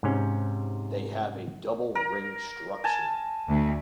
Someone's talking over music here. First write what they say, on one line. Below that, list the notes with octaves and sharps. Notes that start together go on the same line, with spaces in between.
They have a double ring structure.
G#2 C3 C#4
A#4
G#5 A5
D2